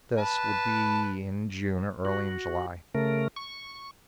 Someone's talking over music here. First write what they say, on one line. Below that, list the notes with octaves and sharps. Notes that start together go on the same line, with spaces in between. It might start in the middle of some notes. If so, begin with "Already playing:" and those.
This would be in June or early in July.
B4 A5
F#4
C#3 A3 A#4
C#6